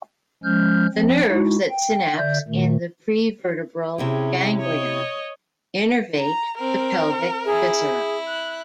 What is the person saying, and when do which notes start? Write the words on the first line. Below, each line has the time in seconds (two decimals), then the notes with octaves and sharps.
The nerves that synapse in the prevertebral ganglia innervate the pelvic viscera.
0.44 F3 G#3 C#4 F6 G6
0.94 F3 C4
1.29 G#3 D#4 E4 F#4
1.70 G5
2.17 D3 D5 E5 G6
2.48 A#2 D#3 A3
3.98 C3 C#4 E4 G4 G#4
4.61 C#5 D#5
6.18 A#5
6.59 C4 A#4
7.45 E4 G#4
8.27 F#6